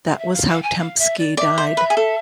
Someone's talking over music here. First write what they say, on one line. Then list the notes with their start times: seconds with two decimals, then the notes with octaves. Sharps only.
That was how Tempsky died.
0.07 F5
0.19 E5
0.33 F5
0.48 F5
0.63 G#5
0.78 F5
0.99 E5
1.18 D5
1.37 D5 E5
1.58 C5
1.77 B4
1.90 G#4
1.97 A4